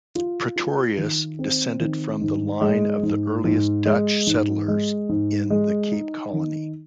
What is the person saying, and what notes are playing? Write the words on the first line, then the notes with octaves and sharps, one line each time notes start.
Pretorius descended from the line of the earliest Dutch settlers in the Cape Colony.
F4
F4
D#3
C4
D#3
G#2
G#3
G#2
G#2
G#3
G#2
G#3
G#2
G#3
D#4
D#3